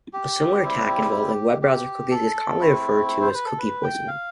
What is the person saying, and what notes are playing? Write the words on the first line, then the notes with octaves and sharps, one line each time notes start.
A similar attack involving web browser cookies is commonly referred to as "cookie poisoning".
G4
G3 C4 E4
G4
A4
A3 C4 E4
C5
B4
A4
B4
G5
F5